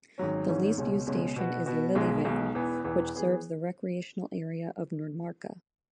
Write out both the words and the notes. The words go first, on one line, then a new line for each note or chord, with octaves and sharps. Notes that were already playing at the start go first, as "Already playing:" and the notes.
The least-used station is Lillevann, which serves the recreational area of Nordmarka.
G#1 G#2 F#3 C#4
G#1 G#2 F#3 C#4
C#2 B2 G#3 C#4
C#2 B2 G#3 C#4
B2 B3 F#4
B2 B3 F#4
B1 B2 G#3
B1 B2 G#3
E1 E2 E3 B3
E1 E2 E3 B3
E3 B3 G#4